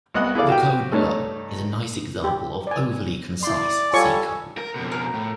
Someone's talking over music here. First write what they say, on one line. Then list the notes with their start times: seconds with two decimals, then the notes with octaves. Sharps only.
The code below is a nice example of overly concise C code.
0.14 C2 B3 D#5 F#5 F#6
0.35 E4 G#4 A4 D5 F5
0.48 F#4 G4 G5
0.92 G2 A3 D#4 C#5
2.24 G4
2.67 D5 G#5
3.43 E4 D5 C6
3.93 G3 F4 A4 C#5 G#5 C#6
4.58 A#4
4.76 F2 B2
4.92 A#4
5.14 A2